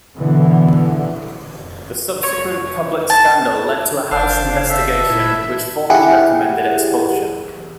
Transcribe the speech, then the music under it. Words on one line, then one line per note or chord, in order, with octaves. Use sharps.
The subsequent public scandal led to a House investigation, which formally recommended expulsion.
B2 D3 E3 B3
C#5
A5
F#1 D4 C5 F5
A4 E5
A#2 E4
E4 G4 G#4 F#5